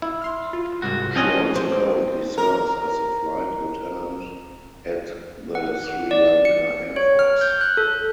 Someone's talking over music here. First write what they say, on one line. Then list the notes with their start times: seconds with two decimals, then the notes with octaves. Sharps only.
She also currently serves as the flight lieutenant at the Sri Lanka Air Force.
0.02 E4
0.22 C6 F6
0.53 F4
0.82 C2 G#2 F#4
1.16 F3 C4 C#4 D#5
1.55 C4
2.38 A#4
5.55 F#5
6.11 D5
6.45 C#7
6.96 C#5
7.19 F6
7.41 G6
7.61 F#6
7.77 A4